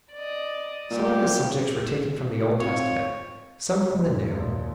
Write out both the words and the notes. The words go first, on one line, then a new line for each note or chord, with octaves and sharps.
Some of the subjects were taken from the Old Testament, some from the New.
D5 D#5
A#2 G3 G4
D#3 C4 F4 C#5
F#1 G#3
D#2 A#2